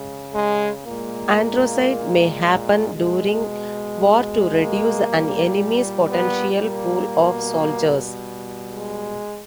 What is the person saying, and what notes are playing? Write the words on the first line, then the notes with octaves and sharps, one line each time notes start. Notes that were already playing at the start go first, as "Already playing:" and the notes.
Androcide may happen during war to reduce an enemy's potential pool of soldiers.
Already playing: C#3 G#3
G#3
A#2 G#3 A#3
B2 G#3
A#3
A#2 G3
B3
A#3
B2 G3
G#3